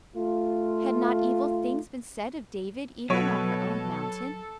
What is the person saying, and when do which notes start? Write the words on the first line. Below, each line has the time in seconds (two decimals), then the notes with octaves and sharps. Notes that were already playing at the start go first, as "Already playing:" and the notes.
Had not evil things been said of David even on her own mountain?
0.16 A3 F4
3.10 B2 F#3 A4 B4 C#5